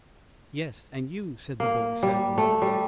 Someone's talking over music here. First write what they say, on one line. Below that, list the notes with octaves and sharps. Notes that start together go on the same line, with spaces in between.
"Yes; and you," said the boy sadly.
A#3
G3
A3
G3